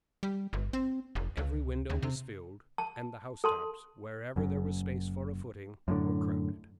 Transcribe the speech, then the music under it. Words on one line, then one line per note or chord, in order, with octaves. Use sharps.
Every window was filled, and the house-tops, wherever there was space for a footing, were crowded.
G3
G1
C4
F1
C#2
D#2
C3
A5
A4 A5 C6
F#1 F#2
F#2 A2 D3